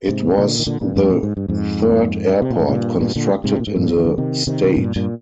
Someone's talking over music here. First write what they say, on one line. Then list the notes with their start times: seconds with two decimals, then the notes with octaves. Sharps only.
It was the third airport constructed in the state.
0.08 G#2 C3
0.38 A#2 D3
0.59 D#3
0.67 A#2 D3
0.81 G2 A#2
0.96 F2 G#2
1.10 A#2
1.23 G#2
1.37 G2
1.48 F2 G#2
2.42 C3
2.50 A#2
2.60 G#2
2.68 G2 A#2
3.00 G2 A#2
3.16 A#2 D3
3.44 G#2 C3
3.60 A#2
3.67 G#2
3.76 G2 A#2
3.88 F3
3.96 D#3
4.05 D3 F3
4.18 C3 D#3
4.47 C3 D#3
4.64 C3
4.77 G2 A#2
4.96 G2 A#2